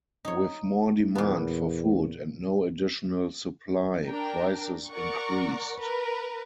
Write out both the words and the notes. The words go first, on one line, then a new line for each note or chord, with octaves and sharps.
With more demand for food and no additional supply, prices increased.
D#4 C#5
E2 A#2 B3
D4 A#4 G5
A#4 D5 F#5 C#6
A#4 B4